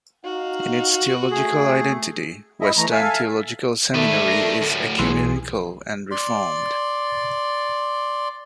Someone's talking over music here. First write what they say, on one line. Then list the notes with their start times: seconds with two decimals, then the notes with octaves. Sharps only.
In its theological identity, Western Theological Seminary is ecumenical and Reformed.
0.25 D#4 F#4 F5
1.31 A3 G#4
2.61 E4 D#5 E5
2.77 E3 A3 A#5
2.92 A4 E5 F5 G#5
3.94 D#3 A3 B4 D5
4.28 A#4 A#6
4.61 D2 A2
4.99 B1 E3 G#4 C6
6.11 D5 C6